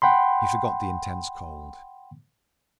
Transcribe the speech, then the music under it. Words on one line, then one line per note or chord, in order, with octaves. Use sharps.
He forgot the intense cold.
F#5 G5 B5 C6